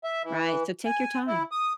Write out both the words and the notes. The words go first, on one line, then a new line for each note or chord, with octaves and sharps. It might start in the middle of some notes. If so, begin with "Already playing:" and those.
right, so, take your time.
E5
E3
G#5
E4
D#6